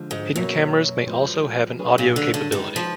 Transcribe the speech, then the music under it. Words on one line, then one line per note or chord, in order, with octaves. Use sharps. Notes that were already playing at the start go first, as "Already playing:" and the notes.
Hidden cameras may also have an audio capability.
Already playing: D3 F3 G#3
G#2
F#2 B2 F#3 A#3
F3 G#3 B3
F#3 D4 G#4 B4
A#2
D3
D3
D#3 G#3 D#4 G#4 B4
F3